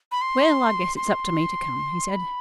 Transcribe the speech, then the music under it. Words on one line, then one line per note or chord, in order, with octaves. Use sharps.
"Well, I guess it's up to me to come," he said.
B5
C6
C6
B5